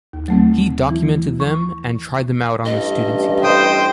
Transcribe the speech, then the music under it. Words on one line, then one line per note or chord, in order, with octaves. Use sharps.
He documented them, and tried them out on the students he taught.
D#2
F#3 A3 C4
E3 E4
F3 C#6
A1 G2 D#5
C5 G5 D#6